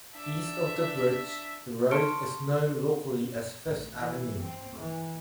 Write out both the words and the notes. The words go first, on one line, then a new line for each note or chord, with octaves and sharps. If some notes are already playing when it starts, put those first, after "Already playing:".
East of the bridge, the road is known locally as Fifth Avenue.
D4 E5
A5 C6 C#6 F6 C#7 D7
A1
E3
C4
E3